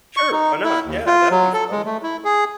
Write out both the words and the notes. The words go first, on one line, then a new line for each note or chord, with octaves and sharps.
Sure, why not, yeah that would be fun.
C#6
D#4
E4
D#2
F4
F#3
A4
G#3
A3
E4
G#4